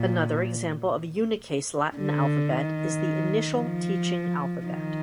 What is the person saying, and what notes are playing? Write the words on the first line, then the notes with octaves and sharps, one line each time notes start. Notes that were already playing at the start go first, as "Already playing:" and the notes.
Another example of unicase Latin alphabet is the Initial Teaching Alphabet.
Already playing: A#2
D3
D#3
F3
D#3